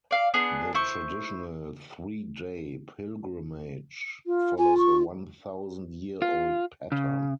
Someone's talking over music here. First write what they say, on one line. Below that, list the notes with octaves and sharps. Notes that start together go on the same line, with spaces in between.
The traditional three-day pilgrimage follows a one-thousand-year-old pattern.
D5 F5
B3 D4 G#4
E4 C5 C#6
F4
F4 G#5
C#6
F4
C#3